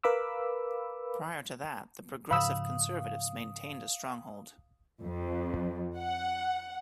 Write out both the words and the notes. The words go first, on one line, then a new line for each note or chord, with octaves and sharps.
Prior to that, the Progressive Conservatives maintained a stronghold.
A#4 B4 F5 B5 D6 E6
G#2 C#3 F3 F5 B5 D#6 E6
F2
F#5